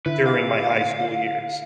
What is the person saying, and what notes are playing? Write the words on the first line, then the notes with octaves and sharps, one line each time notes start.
during my high school years.
D3 E4 B4
F5